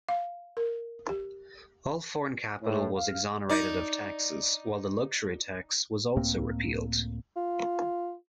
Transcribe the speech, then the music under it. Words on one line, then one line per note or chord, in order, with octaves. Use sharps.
All foreign capital was exonerated of taxes, while the luxury tax was also repealed.
F5
A#4
G4
A2
F5
D#4 D5
C#2 A2 A#3 C4
F4